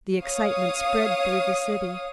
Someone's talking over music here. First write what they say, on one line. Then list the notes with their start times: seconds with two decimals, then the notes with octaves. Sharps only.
The excitement spread through the city.
0.21 C#5 F5 D#6